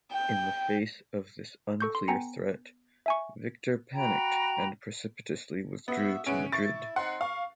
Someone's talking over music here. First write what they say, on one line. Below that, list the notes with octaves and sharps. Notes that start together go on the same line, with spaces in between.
In the face of this unclear threat, Victor panicked and precipitously withdrew to Madrid.
G5
A4 C#6 G6
C6
B3 G5 G#5 A#5 C#7
E5 G#5 C#6
F#4 G5 A#5 B5
B3 F#4 E5
G#3 B3 C#4 E4 D7
E4 C#6 A6
C4 D#4 F#5 C6
F5 C#6